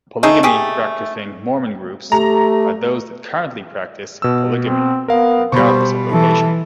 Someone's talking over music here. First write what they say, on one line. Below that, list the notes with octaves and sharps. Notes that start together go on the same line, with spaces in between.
Polygamy-Practicing Mormon groups are those that currently practice polygamy, regardless of location.
A3 D#4 G#4
A3 G4 G#4
A3 G4 A#5
B2 E6
C4
B3 A#4 F5
B2 G3 C5 B5 C#6
E3 A4